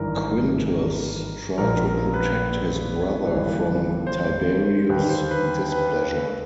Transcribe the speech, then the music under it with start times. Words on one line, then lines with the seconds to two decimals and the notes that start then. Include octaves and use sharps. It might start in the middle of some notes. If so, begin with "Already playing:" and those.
Quintus tried to protect his brother from Tiberius' displeasure.
Already playing: G#1 G2 E3 A#4
1.58 A#1 A#2 A#4
1.85 A#4
2.14 B4
3.24 G1 G2 E3
4.07 C5
4.89 D#2 D3 B4
5.10 C5
5.31 B4
5.72 B4
5.93 B4